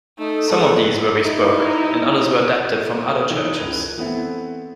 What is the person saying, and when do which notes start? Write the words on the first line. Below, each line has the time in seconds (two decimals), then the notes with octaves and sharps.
Some of these were bespoke and others were adapted from other churches.
0.18 A3 D#4
0.50 G#3 A4 B4 F#5
1.21 D#4 E4
3.02 A3 A#4
3.30 E3 D#4 E6 G7
3.57 C#2 A#4 F#6 G#6 F7
3.97 E3 A3 B3 C4 E4